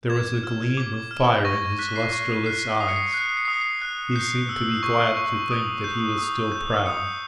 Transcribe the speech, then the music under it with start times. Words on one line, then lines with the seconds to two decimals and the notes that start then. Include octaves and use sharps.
There was a gleam of fire in his lustreless eyes; he seemed to be glad to think that he was still proud.
0.10 D6 G#6
0.43 F6
0.77 D6
1.11 F6
1.45 C#6 A#6
1.62 A#6
1.79 F#6 B6
1.96 C7
2.12 C#6 C7
2.46 F#6 C7
2.80 D#6 C7
2.88 C#7
2.96 C7
3.04 C#7
3.13 F#6 C7
3.21 C#7
3.29 C7
3.37 C#7
3.45 D#6 C7
3.54 C#7
3.61 C7
3.82 F#6
4.15 G6 C7
4.49 E6
4.83 C#6
5.17 C#6
5.51 D#6
5.84 G6
6.19 D#6
6.52 G6
6.86 D#6 C#7